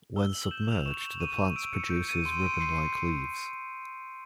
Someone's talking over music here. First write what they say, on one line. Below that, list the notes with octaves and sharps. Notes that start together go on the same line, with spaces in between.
When submerged, the plant produces ribbon-like leaves.
E6 G7
F#7
G6 E7
F7
C#6 E7
C#6 D#7
E6 D7
C#7
G6 D7
D#7
C6 D7
D#7
D7
C#7
C6 C7